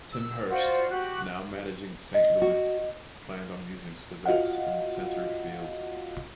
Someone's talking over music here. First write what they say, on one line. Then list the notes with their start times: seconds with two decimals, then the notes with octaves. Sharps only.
Tim Hurst, now managing Saint Louis, planned on using Stivetts in center field.
0.13 E6
0.48 F4 F#4 C5 D5
0.89 F#4 G4 F#6
2.14 D#5
2.42 F#4
4.26 F4 F#4 D#5 F5 F#5